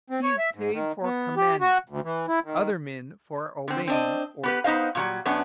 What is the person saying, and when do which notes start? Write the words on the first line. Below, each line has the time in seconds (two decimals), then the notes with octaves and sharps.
He is paid for commanding, other men for obeying orders.
0.10 C4
0.23 C#5
0.39 E5
0.55 G#2
0.72 D#3
1.03 B3
1.37 G4
1.61 F#4
1.89 D2
2.04 E3
2.28 E4
2.44 D#3
3.68 D3 C4
3.87 C4 D4 D#5
4.43 B3 G4 B4
4.64 B3 D#4 C5 D#5 F5
4.95 A#2 F#3 G3
5.25 F#2 B3 C#4 D4